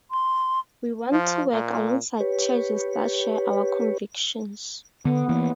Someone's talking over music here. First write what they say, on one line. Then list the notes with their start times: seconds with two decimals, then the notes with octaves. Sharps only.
We want to work alongside churches that share our convictions.
0.11 C6
1.12 F3
1.52 A#2
2.20 G4 B4 C#5
5.05 D3 B3
5.29 E3 A#3